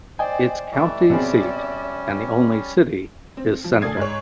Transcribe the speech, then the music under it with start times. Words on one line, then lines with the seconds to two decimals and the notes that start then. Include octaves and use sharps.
Its county seat and only city is Center.
0.19 C5 D5 D#5 G5 G#5
0.72 E3 G3 A3 D5 E5
1.10 B2 G3 C4 C#4 G#4
3.37 C4
3.64 F3
3.81 D2 A4 D5 D#6 G#6 C7
3.97 G#2 C#5